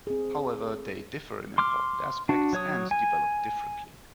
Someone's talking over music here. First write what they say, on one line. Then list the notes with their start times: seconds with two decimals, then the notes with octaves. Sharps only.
However, they differ in important aspects, and developed differently.
0.07 C4 G#4
1.58 C6 D6 F6
2.29 D4 F#4
2.53 F#3 C#5 D#6
2.91 G#5